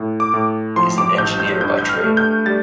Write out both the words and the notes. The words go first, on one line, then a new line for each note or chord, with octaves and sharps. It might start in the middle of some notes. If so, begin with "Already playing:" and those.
He is an engineer by trade.
Already playing: A2
D6
A2
F3 C6
D6
A1 G6
G6
G2 G6
G6
F6
A3
G6
G3 A6